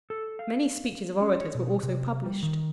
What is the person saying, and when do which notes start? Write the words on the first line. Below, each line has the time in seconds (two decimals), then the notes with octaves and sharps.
Many speeches of orators were also published.
0.10 A4
0.39 F5
1.22 C#4
1.41 C#5
1.54 B2
1.83 C3
2.25 G3
2.43 D#3